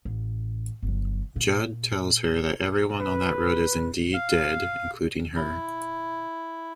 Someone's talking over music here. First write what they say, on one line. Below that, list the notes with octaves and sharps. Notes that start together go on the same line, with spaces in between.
Jud tells her that everyone on that road is indeed dead-including her.
A1
G1 F#3
A#2
B4
F5
E4